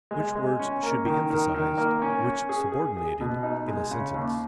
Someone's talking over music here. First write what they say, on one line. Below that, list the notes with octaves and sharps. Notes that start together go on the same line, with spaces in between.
Which words should be emphasized, which subordinated, in a sentence?
G#3
G#3
C#4
A#3
D#3
D#3
D#3
A#3
C#4
C#4
G#4
G#4
G#4
B2
D#4
G#3
C#3
D#2